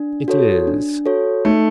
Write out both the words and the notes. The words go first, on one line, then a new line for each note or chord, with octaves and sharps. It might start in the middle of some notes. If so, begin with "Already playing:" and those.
It is.
Already playing: D4
F#4 A4 C#5
D4
F#4 A4 C#5
A3 D#4